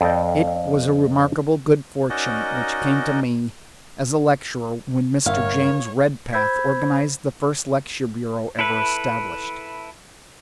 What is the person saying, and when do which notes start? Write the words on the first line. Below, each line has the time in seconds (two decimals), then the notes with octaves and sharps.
It was a remarkable good fortune which came to me as a lecturer when Mr. James Redpath organized the first lecture bureau ever established.
0.01 F2 A4 D5 D#5 G5
2.10 C#4 D#4 F#4 A#4 D5 D#5
5.26 G1 A#4 C#5 E5 F5
6.33 C5 B5 E6 G6 G#6 B6
8.59 E4 A4 B4